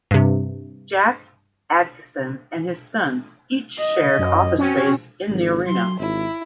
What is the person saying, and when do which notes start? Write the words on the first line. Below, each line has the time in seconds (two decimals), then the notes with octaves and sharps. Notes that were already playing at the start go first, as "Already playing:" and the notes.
Jack Adkisson and his sons each shared office space in the arena.
0.11 G2 C3
3.78 D#5
4.19 F#2
4.58 C4 C#4 F#4
5.29 G#1
5.67 F#3 C6
5.99 G#1 E4